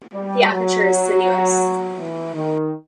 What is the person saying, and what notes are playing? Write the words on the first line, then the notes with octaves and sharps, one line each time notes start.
The aperture is sinuous.
G3
F#3
E3
D#3